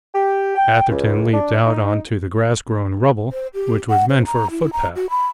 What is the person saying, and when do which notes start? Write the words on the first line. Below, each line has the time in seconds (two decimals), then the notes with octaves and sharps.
Atherton leaped out on to the grass-grown rubble which was meant for a footpath.
0.14 G4
0.55 G5
0.89 C#2
1.33 D4
1.66 D#4
3.32 C5
3.54 G4
3.90 F#5
4.09 C5
4.26 A#5
4.51 E4
4.73 A#5
4.96 F#4
5.10 B5